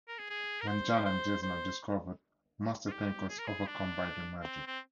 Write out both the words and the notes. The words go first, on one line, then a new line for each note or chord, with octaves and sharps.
When Jana and Jason are discovered, Master Tenko is overcome by their magic.
A#4
G#4
G#4
A#4
C5
C5
C5
F4
G4
G#4
A#4
G#4
D4
C4
C4